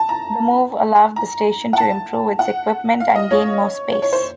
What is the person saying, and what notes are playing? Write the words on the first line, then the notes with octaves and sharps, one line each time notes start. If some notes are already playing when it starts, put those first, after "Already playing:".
The move allowed the station to improve its equipment and gain more space.
Already playing: A5
A#5
A#5
F#5
A5
F#5
F5
D#5
C#5
C#5
C#5
C5